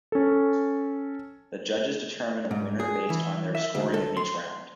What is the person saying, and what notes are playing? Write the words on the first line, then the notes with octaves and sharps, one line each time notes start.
The judges determine a winner based on their scoring of each round.
C#4 A4
G#2
G#4
E3
E5
D2
A4
C6